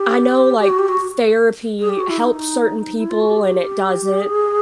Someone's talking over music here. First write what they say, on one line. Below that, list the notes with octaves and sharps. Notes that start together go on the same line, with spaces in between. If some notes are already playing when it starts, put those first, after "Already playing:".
I know, like, therapy helps certain people and it doesn't,
Already playing: G4
G4
F#4
G4
F#4
G#4
G4
F#4
E4
D#4
E4
F4
F#4
G4
G#4